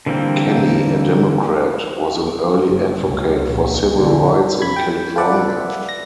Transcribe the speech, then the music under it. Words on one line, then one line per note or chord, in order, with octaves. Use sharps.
Kenny, a Democrat, was an early advocate for civil rights in California.
D3 E3 G3 A#3 C4
F#1
C#2
A#1
D3
F2 C#3 B5 G#6
G5
F4 A4 B4 D5 E5 F#5
A#6